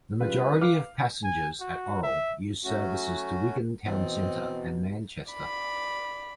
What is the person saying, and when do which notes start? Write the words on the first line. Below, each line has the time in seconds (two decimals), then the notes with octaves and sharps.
The majority of passengers at Orrell use services to Wigan town centre and Manchester.
0.20 C#3 G3 F4 B4
0.61 F5 D6 F6
1.24 G#5
1.61 F#4
2.03 E5
2.65 F#3 A3 C#4 F#4
3.86 A1 E2 B2 C4 D#5
5.30 D5 B5